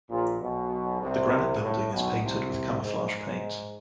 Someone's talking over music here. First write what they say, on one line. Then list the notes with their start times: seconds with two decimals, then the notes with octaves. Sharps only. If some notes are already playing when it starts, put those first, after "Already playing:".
The granite building is painted with camouflage paint.
0.10 A#1 A#2
0.41 B1 B2
1.01 C2 C3
1.62 A2
1.92 B1 B2
2.22 C2 C3
2.82 G#2